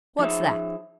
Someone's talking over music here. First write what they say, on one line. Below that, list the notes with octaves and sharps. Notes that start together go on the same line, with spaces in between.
"What's that?"
F3 D#4 G#4 E5